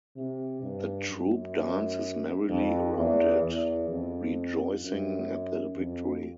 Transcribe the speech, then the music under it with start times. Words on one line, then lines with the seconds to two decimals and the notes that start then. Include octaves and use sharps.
The troop dances merrily around it, rejoicing at the victory.
0.16 C3
0.63 G2
1.10 F#2
2.49 F2
2.97 E2
3.44 E2
3.90 F2
4.84 F#2
5.76 F2